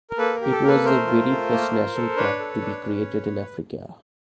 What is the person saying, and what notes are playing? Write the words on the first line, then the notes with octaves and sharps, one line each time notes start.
It was the very first National Park to be created in Africa.
A#4
A#3 A4 B4
A#4
G4
A4
A#3 A#4
A4 B4
A3 A#4 C5
F4
A3
A#3
F4
A4
D4 B4 C#5
A4
D4
C#4